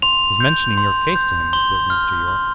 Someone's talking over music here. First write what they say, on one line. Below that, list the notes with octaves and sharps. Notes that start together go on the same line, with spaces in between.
"I was mentioning your case to him," observed Mr. Yorke.
C6 F7
G6
C6
G6
C6 G7
F6
C6